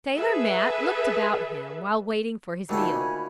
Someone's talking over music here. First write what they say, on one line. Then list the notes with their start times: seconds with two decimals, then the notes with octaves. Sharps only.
Sailor Matt looked about him while waiting for his meal.
0.15 G#4 A4 B4 E5
2.69 D2 A#2 D#3 C#4 G4 A4 D5 B5
2.92 G#5